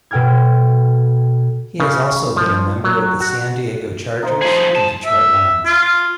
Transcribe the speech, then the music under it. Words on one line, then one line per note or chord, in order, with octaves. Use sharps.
He has also been a member of the San Diego Chargers and Detroit Lions.
B2 A4 G5 F6 G#6
C#3
F3
F#3
F#4
D#4 F4 C5
F3 G#4
A5
E5
F4